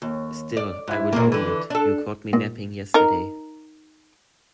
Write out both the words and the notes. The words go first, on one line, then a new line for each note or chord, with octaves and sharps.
Still, I will own it, you caught me napping yesterday.
D#2
D5
G#2 E4
A#2 A#3
D3 E3
D4 A4
A#2
D#4 A#4